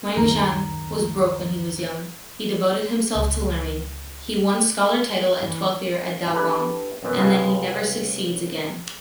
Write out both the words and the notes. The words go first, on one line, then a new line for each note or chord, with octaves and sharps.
Wang Zhang was broke when he was young. He devoted himself to learning. He won scholar title at twelfth year of Daoguang, and then he never succeeds again.
C#2 F#2 D#3 A#5
C#2
E3
D4 E4 G4 A4 B4
F#2 B2 E3
C2 F#2 C#3 F4 B4 D#5